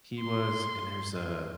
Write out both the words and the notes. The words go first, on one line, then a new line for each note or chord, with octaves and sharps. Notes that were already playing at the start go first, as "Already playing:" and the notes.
He was, and there's a
C6